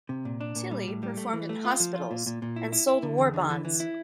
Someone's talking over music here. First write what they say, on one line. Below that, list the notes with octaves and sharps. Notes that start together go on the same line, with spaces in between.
Tilley performed in hospitals and sold war bonds.
C3
A#2
D4
A#2
G3
A2
G3
A3
E3
A3
F4
F3
F4
A#2
A#2
A#2
E4
E4
E4
D3
E2
D3
E3
E3
E4